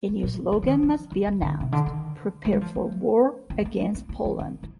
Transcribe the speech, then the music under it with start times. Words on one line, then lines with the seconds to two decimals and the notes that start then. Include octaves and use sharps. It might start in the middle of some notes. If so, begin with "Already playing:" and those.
A new slogan must be announced: Prepare for war against Poland.
0.09 G2
0.23 A#2
0.52 D3
0.62 F3
0.67 D#3
0.83 F3
1.12 D#3
1.27 D3
1.42 D3
1.60 C3
1.72 D3
1.86 D#3
2.45 A3
2.53 G3
2.61 F3
2.75 A3
3.50 C4
3.61 A3
3.65 A#3
3.80 A3
3.95 C4
4.09 A#3
4.25 F3
4.39 D#3
4.63 F3